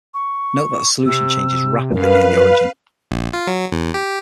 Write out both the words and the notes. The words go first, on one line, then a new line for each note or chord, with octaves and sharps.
Note that the solution changes rapidly near the origin.
C#6
C3 E6
F#2 A#4 B4 F5
A#1
F4
F#3
E2
G4